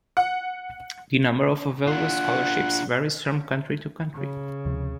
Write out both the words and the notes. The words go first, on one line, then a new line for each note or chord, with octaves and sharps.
The number of available scholarships varies from country to country.
F#5
D4 F4 F#5
C#3
D2 C3 F3